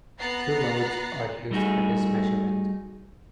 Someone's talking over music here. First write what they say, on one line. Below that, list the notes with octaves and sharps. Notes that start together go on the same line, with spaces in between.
Two modes are used for this measurement.
B3 A#5 F#6 A6 C7
G3 A3 D#4 F#4 G#4